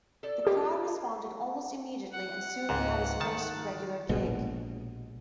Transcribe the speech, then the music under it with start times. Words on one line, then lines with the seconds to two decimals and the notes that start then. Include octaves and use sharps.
The crowd responded almost immediately and soon he had his first regular gig.
0.23 A4 D5
0.47 F4 G4 C#5 D#5
2.13 F#5
2.69 C#2 G#2
3.20 D#3 A5
4.09 A#1 B2 G#3